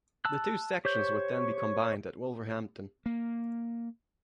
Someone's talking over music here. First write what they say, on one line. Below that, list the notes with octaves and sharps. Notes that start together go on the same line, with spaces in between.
The two sections would then be combined at Wolverhampton.
A5 E6 F#6
G4 C5 C#5 G6
A#3